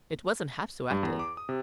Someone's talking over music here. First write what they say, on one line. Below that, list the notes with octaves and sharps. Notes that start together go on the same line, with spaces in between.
It wasn't half so active.
G2
E2
D6
D#6
C3